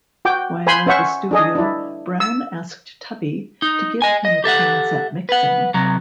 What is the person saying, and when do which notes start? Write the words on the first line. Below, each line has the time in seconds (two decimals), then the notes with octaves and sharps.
While at the studio, Brown asked Tubby to give him a chance at mixing.
0.25 F#4 G5 D6
0.67 C5 G#5 B5 C6
0.86 C#4 C5 E5 F#5 C#6
1.31 D4 G#4 D#5
1.55 D4 E4
2.20 E6
3.62 D#4
4.02 D#5 G#5
4.25 D#5
4.44 G4 A4 E5 F#5
5.29 B4 F#5
5.74 C3 F#3